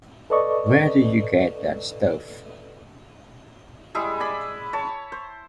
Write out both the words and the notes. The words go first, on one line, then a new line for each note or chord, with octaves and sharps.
Where do you get that stuff?
A4 B4 D5 D#5 C#6
G3 G#3 E4 G#4
D5 G#5 B5
C#5 A5
C5